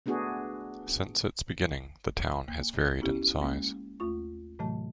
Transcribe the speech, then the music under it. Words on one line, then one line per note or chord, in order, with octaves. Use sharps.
Since its beginning, the town has varied in size.
A3 B3 D4 F#4 G#4
A#3
B3 C#4 E4 G4
G#3 A#3 C#4
D#2 A3 F4 C#6
A2 C3 E3 F#3 A3 A5